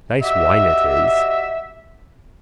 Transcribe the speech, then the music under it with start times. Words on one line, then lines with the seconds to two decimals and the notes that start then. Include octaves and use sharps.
Nice wine it is.
0.21 F#4 G4 D#5 E5